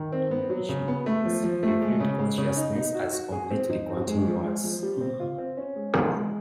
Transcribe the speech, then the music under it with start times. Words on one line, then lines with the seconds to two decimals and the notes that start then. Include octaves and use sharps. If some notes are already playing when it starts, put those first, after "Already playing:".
In addition to this, he viewed consciousness as completely continuous.
Already playing: D#3
0.12 C4
0.31 B3
0.50 F#3
0.69 C#3
0.88 B3
1.06 A3
1.25 F3
1.43 F3
1.63 A3
1.82 G#3
2.00 C#3
2.19 G#3
2.38 C#3
2.56 D#4
2.75 D#4
2.94 F#4
3.13 F#4
3.32 G#4
3.51 C4
3.70 D#4
3.88 C4
4.07 G#3
4.25 F3
4.44 G#3
4.64 F3
4.83 G3
5.01 C4
5.20 F4
5.38 C4
5.57 C#4
5.76 G#3
5.94 E3
6.13 G#3